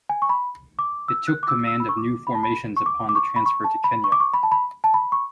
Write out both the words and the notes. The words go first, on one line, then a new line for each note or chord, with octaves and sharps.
It took command of new formations upon the transfer to Kenya.
G#5
C#6
B5
D6
E6
F#6
D6
E6
E6
B5
C#6
D6
B5
A5
B5
C#6
D6
D6
C#6
B5
C#6
A5
B5
C#6
D6
C#6
B5
A5
B5
A5
B5
C#6